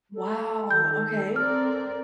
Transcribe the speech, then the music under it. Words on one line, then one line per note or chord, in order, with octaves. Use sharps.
Wow, okay.
A4
D#3 G6
C4 A#4 D5 F6